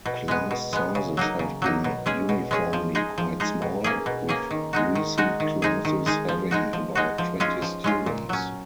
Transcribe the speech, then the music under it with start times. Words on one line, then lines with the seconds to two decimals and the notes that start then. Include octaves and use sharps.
Class sizes have been uniformly quite small, with recent classes having about twenty students.
0.06 B2
0.28 G#3 B3
0.51 B2
0.73 G#3 B3
0.95 C#3
1.17 F#3 A#3 D#4
1.39 C#3
1.62 F#3 A#3 D#4
1.84 B2
2.06 G#3 C#4 G#4
2.29 B2
2.51 G#3 C#4 G#4
2.73 F3
2.95 G#3 D#4 G#4
3.18 F3
3.40 G#3 D#4 G#4
3.62 B2
3.84 A#3 C#4 G#4
4.06 B2
4.29 A#3 C#4 G#4
4.51 D#3
4.73 G#3 D#4 F#4
4.95 D#3
5.18 G#3 D#4 F#4
5.40 D#3
5.62 G#3 D#4 G#4
5.85 D#3
6.06 G#3 D#4 G#4
6.29 F3
6.51 G#3 D#4 F#4
6.73 F3
6.95 G#3 D#4 F#4
7.18 F3
7.40 G#3 C#4 F4
7.62 F3
7.84 G#3 C#4 F4
8.06 A#2
8.29 F#3 C#4